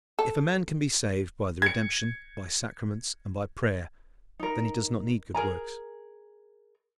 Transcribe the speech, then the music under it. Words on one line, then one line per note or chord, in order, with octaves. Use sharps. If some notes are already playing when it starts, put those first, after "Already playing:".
If a man can be saved by the redemption, by sacraments, and by prayer, then he does not need good works.
A4
G#6 C#7
D#4 A#4
G#4 A#4 G#5 A#5